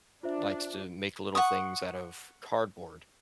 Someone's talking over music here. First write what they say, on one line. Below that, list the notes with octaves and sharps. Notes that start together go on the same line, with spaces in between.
likes to make little things out of cardboard
D4 F4 C5 E5
F#5 C#6 D#6